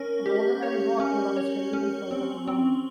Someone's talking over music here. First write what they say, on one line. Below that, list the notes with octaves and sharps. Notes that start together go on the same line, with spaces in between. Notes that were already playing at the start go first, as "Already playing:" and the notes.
An older man is walking along the street in front of a woman.
Already playing: C#4 A#4
G4
C#5
C#4
C#5
C#4
C4
C4